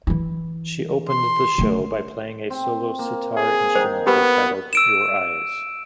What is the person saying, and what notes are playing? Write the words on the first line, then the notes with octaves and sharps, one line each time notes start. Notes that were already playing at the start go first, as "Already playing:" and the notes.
She opened the show by playing a solo sitar instrumental titled "Your Eyes".
E3 E4
C6
D3 A3
C4
A#3
G#4
D#3 D#4 C5
B3 E4 G4 B4 B5
E6 D7 E7